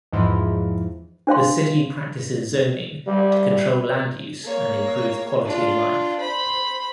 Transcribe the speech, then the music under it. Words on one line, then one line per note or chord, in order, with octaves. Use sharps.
The city practices zoning to control land use and improve quality of life.
E2 G#2 E3 F3
D4 C5 F5 C6
G3
A#3 C#5
D4 F4
C5 B5